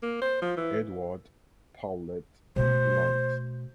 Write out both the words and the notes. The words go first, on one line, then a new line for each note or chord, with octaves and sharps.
Edward Powlett Blunt.
A#3
C5
F3
E3
B2 A3 C5